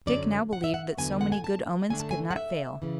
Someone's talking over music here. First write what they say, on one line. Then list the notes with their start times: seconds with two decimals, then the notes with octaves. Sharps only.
Dick now believed that so many good omens could not fail.
0.06 F#2 D3 F#3 C#4 D5
0.53 F#5
0.64 E5
0.74 F#5
0.98 E2 D3 F#3 B3 G#5
1.21 F#5
1.32 G#5
1.44 A5
1.90 F#2 D3 A3 D4 G#5
2.00 A5
2.11 G#5
2.31 F#5
2.36 E5
2.82 C#3 E3